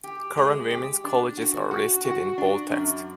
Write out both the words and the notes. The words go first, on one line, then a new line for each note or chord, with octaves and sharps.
Current women's colleges are listed in bold text.
G4
G#3
G4
D4
F#4
F#4
F#4
D4
F#2